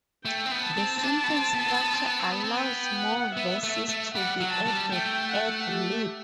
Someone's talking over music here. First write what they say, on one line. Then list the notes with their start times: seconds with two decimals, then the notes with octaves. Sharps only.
The simple structure allows more verses to be added ad lib.
0.25 A3 G5
0.46 C4
0.51 B3
0.64 A5
0.77 C4
0.98 C4
1.03 D4 A5
1.24 B3
1.29 C4
1.54 B3
1.68 C4
1.81 B3
1.93 C4
2.07 B3
2.19 C4
2.32 B3
2.44 C4
2.58 B3 G5
2.98 F#5
3.37 B3 E5
3.63 A3
3.89 A3
4.15 G3 F#5
4.41 F#3
4.53 A5
4.67 G3
4.92 A3 G5
5.32 F#5
5.71 G4